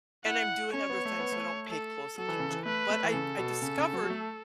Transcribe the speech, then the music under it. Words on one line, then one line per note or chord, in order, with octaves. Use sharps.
and I'm doing other things, so I don't pay close attention, but I I discovered
E4 F#5
C#4 C#5
B3
A3
B3
A3
A4
F#3 A4
E3
C#3
E3
A3 B4
A3
E3
C#3 A4
B2
C#3
C#3
F#3
F#3
A3